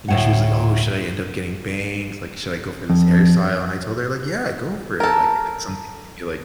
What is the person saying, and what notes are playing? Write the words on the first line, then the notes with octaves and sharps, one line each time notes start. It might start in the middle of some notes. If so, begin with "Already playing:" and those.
you know, she was like, "Oh, should I end up getting bangs? Like, should I go for this hairstyle?" And I told her, like, "Yeah, go for it. Like, if it's something you feel like
D2 A2 F#5
F2
A4 A#4